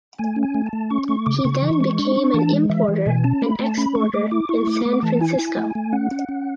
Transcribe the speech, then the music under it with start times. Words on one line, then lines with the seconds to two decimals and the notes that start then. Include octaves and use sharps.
He then became an importer and exporter in San Francisco.
0.18 A3 G#5
0.36 C#4
0.43 G#5
0.54 A3
0.66 A5
0.73 A3
0.90 C#4 C#6
1.08 A3 C#6
1.26 C#3 D6
1.44 C#3 C#6
1.62 E3
1.81 G#3
1.99 D4
2.16 D4
2.34 E3 A5
2.52 G#3
2.69 E3 E5
2.88 E3
3.06 B2 G#5
3.24 C#4 A5
3.42 A3 B5
3.59 A3 A5
3.77 C#4 B5
3.95 A3 C#6
4.14 A3 D6
4.31 E4 D6
4.49 E4 C#6
4.67 A3 D6
4.85 A3 D6
5.03 E3 A5
5.21 E4 G#5
5.39 E4
5.57 A3
5.75 A3
5.92 C#4 F#5
6.11 C#4
6.29 C#4